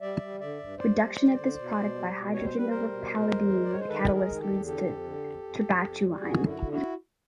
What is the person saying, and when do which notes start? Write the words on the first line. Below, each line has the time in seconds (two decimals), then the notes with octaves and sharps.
Reduction of this product by hydrogen over a palladium catalyst leads to terbutaline.
0.01 G3 D5 E5
0.21 G3
0.40 D3 D5 E5
0.59 G2
0.78 G2 C5 D5
0.98 G3
1.18 G3
1.37 D3
1.56 B2
1.75 B2
1.95 G3
2.14 B2
2.33 G3 C#5
2.45 C5
2.52 G3 B4
2.69 G3 A#4 C5
2.91 B2
3.11 G#3
3.30 E2
3.49 G#3
3.64 D5
3.69 G#3 C#5
3.80 C5
3.88 D#3 A4 B4
4.08 G#3
4.14 G#4 A#4
4.27 D#3
4.35 G#4
4.40 G4 A4
4.47 E2
4.65 D3 G4 A4
4.85 F2
5.04 D3
5.24 F2
5.43 F2
5.62 F2
5.82 F2
6.01 G3
6.20 F#2 F#4 G#4
6.39 D3
6.46 E4 F#4
6.59 D3
6.72 E4 F#4